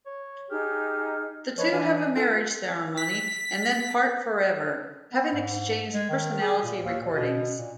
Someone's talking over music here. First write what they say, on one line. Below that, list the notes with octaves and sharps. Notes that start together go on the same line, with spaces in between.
The two have a marriage ceremony and then part forever, having exchanged personality recordings.
C#5
D#4 G4 G#4 F6
F3 B4 C#5 D#5
E3 D4 G#5
F4 A4 G#5
B6
B3
G#2
G#3
D#3
G#4
A#2
D#2
A#2
B2
A#2